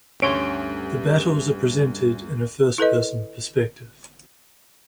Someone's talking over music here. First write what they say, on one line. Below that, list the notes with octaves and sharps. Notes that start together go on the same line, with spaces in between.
The battles are presented in a first-person perspective.
D2 G2 C#4 G4 C#5 C6 D7
E4 A4 B4 D#5